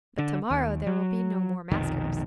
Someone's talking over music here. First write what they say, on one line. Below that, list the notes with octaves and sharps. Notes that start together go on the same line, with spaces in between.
But to-morrow, there will be no more maskers.
D3
D#2
F#3
F1 B1 F2 D#3